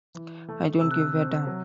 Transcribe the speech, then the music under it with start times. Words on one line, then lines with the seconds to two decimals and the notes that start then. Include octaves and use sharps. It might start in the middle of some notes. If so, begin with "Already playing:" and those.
I don't give a damn.
0.15 E3
0.49 A3
0.81 C3 E6
0.91 F#6
1.01 E6
1.15 C4
1.47 F#3